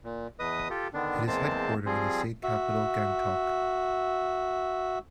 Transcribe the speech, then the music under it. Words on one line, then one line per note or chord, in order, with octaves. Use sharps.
It is headquartered in the state capital Gangtok.
A#2
E2 B4 D#5 D#6
F4 G4 A4
D3 D#3 B3 D4
E2 G#3 A#3 C4 C5 A5
F3 G3 C4 G#4 C5
F#4 E5